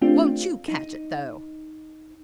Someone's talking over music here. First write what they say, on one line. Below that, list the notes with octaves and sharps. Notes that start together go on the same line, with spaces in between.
"Won't you catch it though!"
A3 C4 D4 F4 G4
D#4